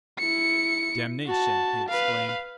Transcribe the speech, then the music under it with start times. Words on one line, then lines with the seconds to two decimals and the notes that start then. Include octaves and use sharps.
"Damnation!" he exclaimed.
0.19 E4 C#7
1.26 F#4 A5
1.89 B4 F5